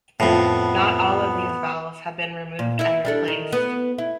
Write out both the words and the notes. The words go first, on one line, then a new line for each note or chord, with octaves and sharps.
Not all of these valves have been removed and replaced.
F2 A2 B3
A#2
E4 E5
G3 D4 A4
D#3
B3
E4